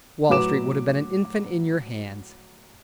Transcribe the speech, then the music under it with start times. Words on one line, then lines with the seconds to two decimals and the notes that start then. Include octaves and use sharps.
"Wall Street would have been an infant in your hands."
0.29 A2 F#3 B4 D6 E7